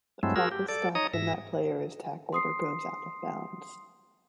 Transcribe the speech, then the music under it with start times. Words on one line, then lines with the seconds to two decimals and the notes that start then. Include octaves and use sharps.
The clock is stopped when that player is tackled or goes out of bounds.
0.23 G2 F#3 G#3 A3 C4 E4
0.36 F4 F#4 G#4 A#4 E6
0.51 G4
0.68 A4 D5
0.95 D#4 C#5 D#5 A#5 D#6
1.13 G#2 E5 A#6
2.33 C6 D#6 C7